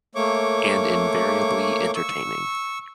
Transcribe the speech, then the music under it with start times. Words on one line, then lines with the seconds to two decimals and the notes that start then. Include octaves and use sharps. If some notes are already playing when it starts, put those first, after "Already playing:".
And invariably entertaining.
0.15 A3 A#3 C#5 C#6 D6
1.95 C#6 E6